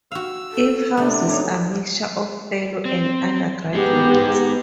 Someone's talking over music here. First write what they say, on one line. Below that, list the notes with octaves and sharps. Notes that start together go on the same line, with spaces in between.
It houses a mixture of fellows and undergraduates.
F#4 F5 E6
A4
C3 A3 D4
F#3 D#4
C4
G#3 B3 D#4 G4 G#4